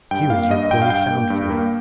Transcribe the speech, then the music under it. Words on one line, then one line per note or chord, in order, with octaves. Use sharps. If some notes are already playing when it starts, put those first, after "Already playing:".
Here is your quarry found for you.
G2 G5
A#3 F5
G2 D#5
G2 G5
F5
G2 G5
A#3
G2
A#3